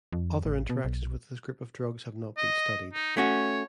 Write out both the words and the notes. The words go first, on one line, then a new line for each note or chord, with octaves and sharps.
Other interactions with this group of drugs have not been studied.
F2
A1
B2
B1
D#5
D#4
A3 C#4 F#4 C#5